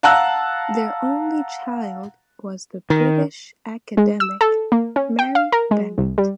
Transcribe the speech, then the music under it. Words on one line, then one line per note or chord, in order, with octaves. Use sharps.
Their only child was the British academic, Mary Bennett.
F5 F#5 A5 A#5 E6 F#6
D#3
G#3
E6
A4
A#3
C#4
G5
F5
A#4
G#3
C2
G3